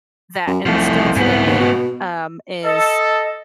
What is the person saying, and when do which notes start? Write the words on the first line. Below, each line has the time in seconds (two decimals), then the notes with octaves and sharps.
that and still today, um, is
0.47 F#2
0.66 C2 F3 A3
1.16 G#2 B3
1.47 D#2
1.60 B2
2.64 A4 D#5